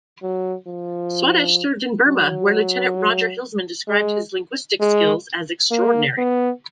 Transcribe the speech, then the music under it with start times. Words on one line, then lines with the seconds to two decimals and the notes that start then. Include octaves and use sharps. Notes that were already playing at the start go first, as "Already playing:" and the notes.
Swadesh served in Burma, where Lieutenant Roger Hilsman described his linguistic skills as extraordinary.
0.22 F#3
0.67 F3
2.05 F#3
3.88 G#3
4.81 G#3
5.71 A#3
6.18 B3